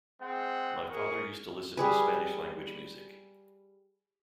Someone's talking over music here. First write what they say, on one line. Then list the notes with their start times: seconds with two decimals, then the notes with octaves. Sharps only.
My father used to listen to Spanish-language music.
0.20 G#3 C4 F#5
0.89 G#4 A#4 C#6
1.77 G3 G#4 B4